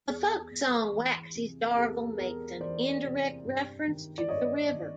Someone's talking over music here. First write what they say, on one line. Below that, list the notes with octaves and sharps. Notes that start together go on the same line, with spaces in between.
The folk song Waxies' Dargle makes an indirect reference to the river.
E2 G#4
E2
E3
C3
A#4
E2 G4 A4
E2 G#4 A#4
E3 C5 D5
C3
G2
D#3
D5
G2 C#5 D#5
D#3